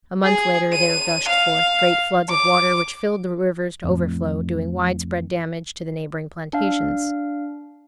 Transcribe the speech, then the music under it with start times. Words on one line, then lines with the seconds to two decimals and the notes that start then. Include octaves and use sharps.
A month later there gushed forth great floods of water, which filled the rivers to overflow, doing widespread damage to the neighboring plantations.
0.23 G#4
0.73 D#7
1.28 F5
2.29 D6
3.84 F2 A2
6.53 D4 F5